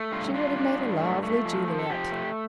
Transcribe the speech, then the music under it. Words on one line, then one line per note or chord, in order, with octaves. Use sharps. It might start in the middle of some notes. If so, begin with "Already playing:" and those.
She would have made a lovely Juliet.
Already playing: A3
G2 F4
D4 F4
D4
G2
A3
A3
F3
F3
A4
F3 G4
A3